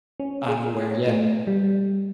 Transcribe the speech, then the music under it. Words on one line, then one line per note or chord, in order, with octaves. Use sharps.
I'm aware, yeah.
C#4
G#4
A3
G3